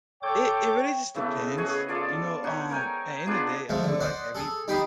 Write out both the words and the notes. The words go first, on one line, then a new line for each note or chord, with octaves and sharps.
it it really just depends. You know? Um, at end of day, I feel like every
A4 C#5 G5 D6 G6
C#3 E3 A3 B3
F#4 G#4 C#5 D#5
F4 A4 D5
C#4 D#4 F#5
A#4 C#5 G5 G#5
B3 D4 F4 G#4
F3 G#3 A3
D3
C5 D5 D#5 F#5
G#4 A4
D#4 G4 G5 B5 C6 D#6